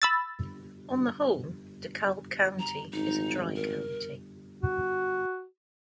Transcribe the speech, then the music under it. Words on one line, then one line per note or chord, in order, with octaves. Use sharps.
On the whole, DeKalb County is a dry county.
B5 E6 A6
A#5
G#1 D#4
A#4
F#4